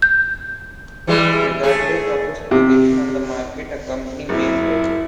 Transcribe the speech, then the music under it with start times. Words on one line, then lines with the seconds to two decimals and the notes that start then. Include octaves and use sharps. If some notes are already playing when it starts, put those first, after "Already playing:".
Regardless of its position on the market, a company may fail.
0.02 G6
1.07 E3 G3 G#3
1.63 A3 G#4
2.51 C3
4.29 F#1 E4